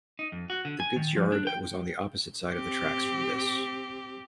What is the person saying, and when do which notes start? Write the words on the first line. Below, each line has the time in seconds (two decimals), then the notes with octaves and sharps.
The goods yard was on the opposite side of the tracks from this.
0.19 D#4
0.32 F2
0.50 F#4
0.65 D3
0.80 G#5
0.96 D#3
1.17 F3
1.32 D4
1.47 G5
2.53 C4 G4